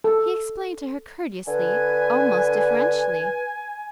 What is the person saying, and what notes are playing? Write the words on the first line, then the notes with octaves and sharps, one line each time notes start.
He explained to her courteously--almost deferentially.
A4
D3 B4 G#5